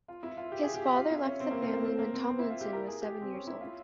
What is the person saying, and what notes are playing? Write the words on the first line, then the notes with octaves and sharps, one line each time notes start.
His father left the family when Tomlinson was seven years old.
F4
E4
F4
G4
G#4
G4
G4
F4
E4
C#4
C4
A#3
C4
A#3
C4
A#3
C4
C4
E4
F4
G4
A#4
G#4
G4
C4
C#4
E4
F4